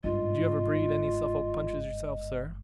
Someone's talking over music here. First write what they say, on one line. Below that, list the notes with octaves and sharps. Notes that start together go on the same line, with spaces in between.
Did you ever breed any Suffolk Punches yourself, sir?'
G1 G#2 F4 D#5